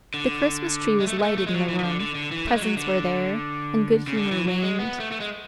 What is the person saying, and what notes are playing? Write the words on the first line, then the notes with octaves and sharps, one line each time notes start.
The Christmas-tree was lighted in the room; presents were there, and good-humor reigned.
D3
G#3
A3
G#3
A3
A3
G#3
F#3
E3
E3
D3
D3
D3
E3
A3
G#3
F#3
D3
C#3
D3
E3
F#3
G#3
B3
A3
A3
G#3